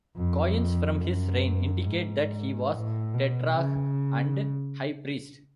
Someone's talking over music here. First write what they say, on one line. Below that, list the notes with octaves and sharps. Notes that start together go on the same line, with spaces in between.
Coins from his reign indicate that he was "tetrarch and high priest".
F2
F#2
G#2
A2
B2
C#3